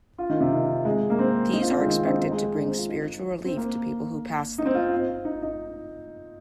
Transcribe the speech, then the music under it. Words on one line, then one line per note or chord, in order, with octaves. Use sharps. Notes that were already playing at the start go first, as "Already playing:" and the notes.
These are expected to bring spiritual relief to people who pass them.
F4
D#3
C3
D#3
G#3
A#3
C4
D#4
F4
C4
G#3
D#3
F4
C4
D#4
C4
G#3
D#4
C4
F4
D#4
C4
A#3
D#4
C4
F4
D#4
D#4